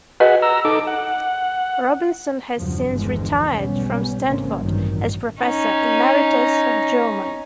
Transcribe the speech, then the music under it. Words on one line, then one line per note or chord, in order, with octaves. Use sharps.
Robinson has since retired from Stanford as Professor Emeritus of German.
F#4 G#4 B4 D#5 F#5
A#5 E6
D#4 A4 D6
F#5
E2 G2 C#3 F3 F#3
G1 E2 G2 D3 F3 G#3
B1 G#2 G3 B3 C#4
A1 G#2 C#3 A#3 C4 C#4
A1 G2 D#3 F#3
C#4 D#4